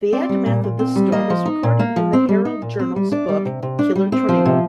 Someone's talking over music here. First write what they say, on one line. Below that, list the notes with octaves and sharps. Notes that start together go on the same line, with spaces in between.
The aftermath of this storm is recorded in the Herald Journal's book, "Killer Tornado".
C4 D5
G3
A#2
A#2
C4
G3
A#3 D#5
F3
D#4
A#2
A#3
F3
C4
G3
D#4
A#2
C4
G3
D4 D5
G3
C3
C3
D4
G3
C4 C5
F3
C3